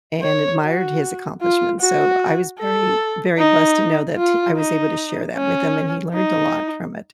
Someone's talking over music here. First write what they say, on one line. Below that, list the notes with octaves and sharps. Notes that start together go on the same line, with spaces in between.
and admired his accomplishments, so, I was very very blessed to know that I was able to share that with him, and he learned a lot from it.
C#5
F#4
F4
F#4
A4
D#4
F4
D#4
C#4
D#4